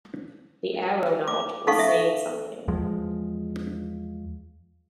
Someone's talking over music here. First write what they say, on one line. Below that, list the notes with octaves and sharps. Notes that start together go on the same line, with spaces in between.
The aeronaut was saying something.
D6
C#4 D#4 A4 F5 C#6
E5
E2 F3 G#3